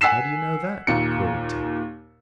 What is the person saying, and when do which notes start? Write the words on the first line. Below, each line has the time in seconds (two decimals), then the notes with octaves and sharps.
"How do you know that?" queried Tad.
0.01 F#5 G#5 E6 B6 C7 E7
0.87 D#2 A#2 C#7